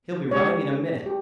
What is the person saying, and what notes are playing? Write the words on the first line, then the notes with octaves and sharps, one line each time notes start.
"He'll be running in a minute."
G#3 C#4 G4 C#5
G4